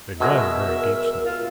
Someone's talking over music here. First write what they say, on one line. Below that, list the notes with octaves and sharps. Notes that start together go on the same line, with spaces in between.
It was a very deep snow.
B2 F#3 G#3 A#4 E5 E6
F4